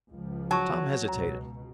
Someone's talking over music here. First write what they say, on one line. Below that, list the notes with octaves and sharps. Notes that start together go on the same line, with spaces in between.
Tom hesitated.
C#2 F3
F#3 A5 C#6
C#2 B2 A#5